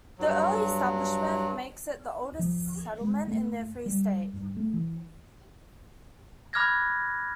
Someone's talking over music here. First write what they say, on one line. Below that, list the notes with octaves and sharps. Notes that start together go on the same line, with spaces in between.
The early establishment makes it the oldest settlement in the Free State.
G2 F#3
F3
G#3
A3
G3
G2
A3
E3
B5 D6 F6 F#6 G#6 A#6